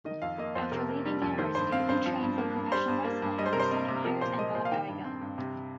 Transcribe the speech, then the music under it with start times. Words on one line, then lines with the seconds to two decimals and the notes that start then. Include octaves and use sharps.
After leaving university, he trained for professional wrestling under Sonny Myers and Bob Geigel.
0.05 D#3 D#5
0.22 F2 F5
0.38 A#3 D#5
0.55 F2 C5
0.72 C3 A#4
0.89 A#3
1.05 G3
1.22 F2
1.38 D#3 C5
1.55 G2 C5
1.72 C4 F5
1.89 G2 C5
2.06 F3
2.22 G2
2.38 A#3
2.56 G2
2.72 G3 C5
2.88 G2
3.04 A#3
3.22 G2
3.38 G3 D#5
3.46 C5
3.53 C3 A#4
3.60 C5
3.71 C4 D#5
3.88 C3
4.04 F3 A#4
4.21 A#2 C5
4.38 A#3 D#5
4.54 A#2 C5
4.65 F5
4.72 D#3 G5
4.88 G2
5.04 C4
5.21 G2
5.38 C3